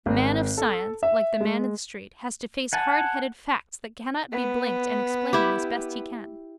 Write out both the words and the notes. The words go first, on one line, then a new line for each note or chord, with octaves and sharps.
The man of science like the man in the street has to face hardheaded facts that cannot be blinked and explain them as best he can.
G#1
A4
E5
G#3
F#5 G#5 A5
B3
E4 G4